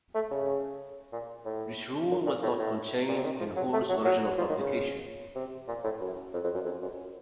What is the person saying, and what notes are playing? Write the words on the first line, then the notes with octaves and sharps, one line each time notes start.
This rule was not contained in Hoare's original publication.
A3
C#3
A#2
A2
F#2
A#2
A2
A2
A#2
C3
D#3
F3
F#3
A3
F#3
F#3
F3
D#3
C#3
C3
A#2
A2
F#2
F2
F2
F#2
F2
F#2